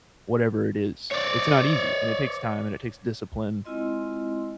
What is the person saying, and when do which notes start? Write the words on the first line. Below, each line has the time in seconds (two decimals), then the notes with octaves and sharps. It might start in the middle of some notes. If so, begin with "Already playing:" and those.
whatever it is. It's not easy, and it takes time, and it takes discipline,
1.12 C#5 D5
3.65 G#3 C4 E4 F4 D#5 C6